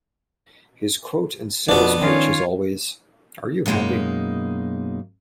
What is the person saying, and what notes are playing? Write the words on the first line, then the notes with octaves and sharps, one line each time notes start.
His quote and sales pitch is always Are you happy?
F2 B2 F3 B3 D4
D#3 C#4 F4 C#5
F#2 B2 G#3 A#3 D#4